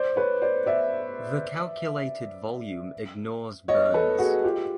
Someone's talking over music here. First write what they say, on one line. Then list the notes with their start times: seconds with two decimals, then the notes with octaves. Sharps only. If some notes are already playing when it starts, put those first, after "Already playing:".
The calculated volume ignores burns.
Already playing: C5 D5
0.16 B4 C#5
0.42 C5 D5
0.66 D5 E5
3.68 C#5 D#5
3.94 A4 B4
4.18 F#4 G#4
4.44 F4 G4